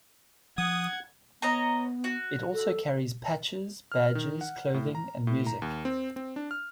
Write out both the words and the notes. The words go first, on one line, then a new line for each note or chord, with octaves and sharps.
It also carries patches, badges, clothing and music.
F3 F#5 D#6 G#6
B3 C#5 D#5 A#5
F#4
A4
F6
D#3
F#5
A2
A#5
A2
A#5
D#2
C4
C4
D4
F6